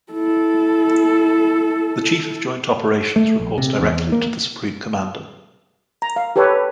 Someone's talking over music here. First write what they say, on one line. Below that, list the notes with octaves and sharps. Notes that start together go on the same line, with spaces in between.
The Chief of Joint Operations reports directly to the Supreme Commander.
E4 A4
A3
A#1
C3
E2
A#3
A#5
F5
G4 A4 B4 C#5